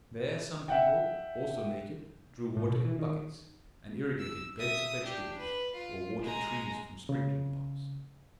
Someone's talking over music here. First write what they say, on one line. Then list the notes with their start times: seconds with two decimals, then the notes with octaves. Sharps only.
There some people, also naked, drew water in buckets, and irrigated beds of vegetables, or watered trees from sprinkling-pots.
0.68 E5 F#5 G5
2.57 A2
2.69 B2
2.85 E3
2.99 D#3
4.19 E6
4.57 E5 D#6
5.02 D4 G4
5.38 B4
5.75 F4
6.21 G#3 A#5
7.09 C#3